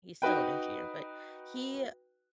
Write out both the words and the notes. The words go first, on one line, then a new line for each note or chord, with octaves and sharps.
He's still an engineer, but he
D#4 F#4 B4 G5